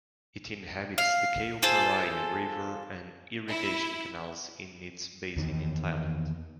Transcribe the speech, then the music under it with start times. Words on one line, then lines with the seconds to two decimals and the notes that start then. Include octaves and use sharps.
It inhabits the Chao Phraya River and irrigation canals in its basin in Thailand.
0.98 F5
1.63 F4 G#4 A4 C5
3.48 E4
5.37 E2 D#3